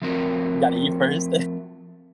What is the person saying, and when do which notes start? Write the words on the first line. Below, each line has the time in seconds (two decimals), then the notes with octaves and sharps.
Gotta eat first.
0.02 F3 A3 C4 F#4 A#4